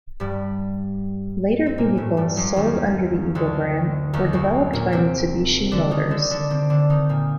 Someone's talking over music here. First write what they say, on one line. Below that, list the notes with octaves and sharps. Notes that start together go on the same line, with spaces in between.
Later vehicles sold under the Eagle brand were developed by Mitsubishi Motors.
G2 G3
C4
A#2 A#3
A2 A3
G2 G3
F#2 F#3
D#2 D#3
D2 D3
D#2 D#3
F#2 F#3
A#2 A#3
C3 C4
D3 D4
D#3 D#4
D3 D4
D3 D4
C3 C4
D3 D4
D#3 D#4
A#2 A#3